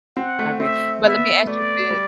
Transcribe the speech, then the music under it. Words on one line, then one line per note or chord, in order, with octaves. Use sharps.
I agree. But let me ask you this.
C4 F#5
A3
C4 E5
B3 E5
A3 D5
G3